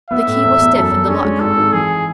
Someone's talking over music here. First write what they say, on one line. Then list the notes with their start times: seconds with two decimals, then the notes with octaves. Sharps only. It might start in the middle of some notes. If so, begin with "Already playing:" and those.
The key was stiff in the lock.
0.11 B3 E5
0.27 A2
0.43 E2
0.60 E2
0.75 F#2 A4
0.92 F#2
1.08 C#4 D4
1.24 G#3
1.40 G#1 A4
1.57 G#1
1.73 E3 G#4